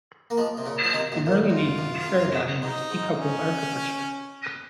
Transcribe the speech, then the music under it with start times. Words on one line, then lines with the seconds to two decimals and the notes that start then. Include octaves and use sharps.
An early name for the paradigm was "decoupled architecture".
0.30 A#3
0.37 F3 G#3
0.57 C3
0.65 A#2 C#3
0.84 F3
0.93 C3 D#3
1.12 F#2 A#2
1.26 A#2
1.31 G#2
1.49 F#2 F4
1.78 F#2
2.06 F#2
2.24 F#2
2.34 G#2
2.62 G#2 D#4
2.90 G#2
3.18 C#4